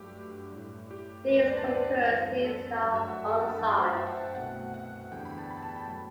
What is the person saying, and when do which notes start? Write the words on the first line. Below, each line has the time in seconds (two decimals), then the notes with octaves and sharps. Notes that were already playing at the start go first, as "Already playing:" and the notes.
These concurrencies are unsigned.
Already playing: G2 F#3 A3 G4
0.52 A2 G3
0.91 G4
1.29 D2 C3 G3 B4
1.39 C5
1.48 D5
1.57 A5
1.68 B4
2.06 F#2 E3 A3
2.44 A4
2.83 G2 F#3 A3
2.95 E5
3.08 F#5
3.31 G5
3.40 A5
3.49 B5
3.59 G2 F#3 A3 A5
3.69 G5
3.78 C5
3.88 C5
3.97 E5
4.06 F#5
4.17 A5
4.25 G5
4.35 C2 B2 A3 F#5
4.74 F#5
5.12 E2 D3 G3 G5
5.25 B5
5.38 A5
5.51 B5
5.63 A5
5.76 G5
5.89 F#3 A3